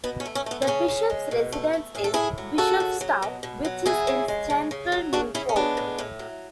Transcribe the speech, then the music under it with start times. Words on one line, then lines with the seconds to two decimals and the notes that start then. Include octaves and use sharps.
The bishop's residence is Bishopstow, which is in central Newport.
0.04 B2 B3
0.20 C#4
0.26 A3
0.35 C#4
0.46 A3 B3
0.62 B3
0.67 C#3 C#4
0.88 C#3
1.10 G#3
1.31 B2
1.52 A3
1.74 A3
1.95 A2 G#4
2.04 A4
2.14 A2 E4 G#4
2.38 F#3
2.58 C#3 F#4 A4
2.80 C#3
3.01 F#3
3.22 B2
3.43 B2
3.65 F#3
3.86 C#3 E4 G#4
4.07 C#3
4.28 G#3
4.50 C#3
4.71 C#3
4.92 F#3
5.13 C#3 D4 F#4
5.34 C#3 C#4 E4
5.49 C#4
5.56 G#3 B3 D4
5.77 A2
5.98 A2
6.19 F#3